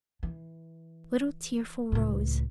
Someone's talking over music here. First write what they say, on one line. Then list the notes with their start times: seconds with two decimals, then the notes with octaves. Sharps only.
Little tearful rose!
0.23 E3
1.92 C#2 A2